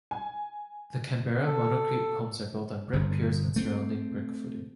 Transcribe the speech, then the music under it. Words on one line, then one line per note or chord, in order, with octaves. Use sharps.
The Canberra monocrete homes are built on brick piers and surrounding brick footing.
G#5
A4
G1
A3 C4